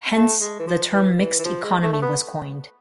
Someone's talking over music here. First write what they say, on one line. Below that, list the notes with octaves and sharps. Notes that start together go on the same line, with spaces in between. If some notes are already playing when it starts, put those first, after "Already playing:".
Hence, the term "mixed economy" was coined.
A3
G#3
E3
F3
E3
E3
E3
F3
G#3
A3
A3
B3